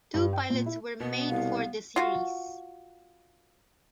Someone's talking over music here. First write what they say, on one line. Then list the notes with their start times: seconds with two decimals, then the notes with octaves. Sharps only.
Two pilots were made for the series.
0.14 G2
0.33 G5
0.50 A#2
0.66 E4
1.00 B2 B3
1.30 C2 F5
1.96 F4 F#4